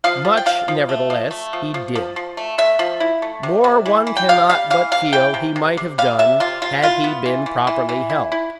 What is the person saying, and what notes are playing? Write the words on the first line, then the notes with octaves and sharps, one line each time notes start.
Much, nevertheless, he did; more one cannot but feel he might have done had he been properly helped.
F3 F5
F3
G5
F3 F5
F3
A3
F3
A3
F3
F3
F3
F3
A3
A3 E5
F3
E4
A3
C3
C3
E3
E3
G5
C3 F5
G3 F5
E3 F5
C3 F5
E3 G5
C3
C3
C3
G3 F5
C3 E5
C3 F4
C3 F4
E4 F4
B3
E3
E3
E3
E3
E4
E4